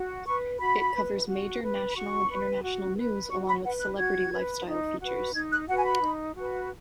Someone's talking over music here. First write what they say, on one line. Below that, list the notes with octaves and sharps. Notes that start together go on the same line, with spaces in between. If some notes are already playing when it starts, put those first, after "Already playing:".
It covers major national and international news along with celebrity lifestyle features.
Already playing: F#4
B4 C#6
F#4 B5
B4
F#4
B4
B5
F#4 C#6
B4
F#4
B4
F#4 C#6
B5
B4 F#5
F#6
F#4 G#6
B4
D#4
F#4 B4
D#4 G#6
F#6
F#4 B4 F#5
G#5
B5
D#4
F#4 B4